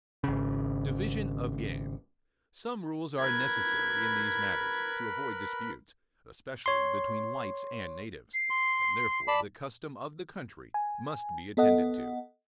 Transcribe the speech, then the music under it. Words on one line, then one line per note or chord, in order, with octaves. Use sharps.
Division of Game.--Some rules are necessary in these matters, to avoid disputes, especially between whites and natives; and therefore the custom of the country must be attended to.
G#1 C#3
A#4 B4 B5 G#6
C#5 C6
C7
C6
D5 A5 B5
G#5
B3 A4 D#5 F#5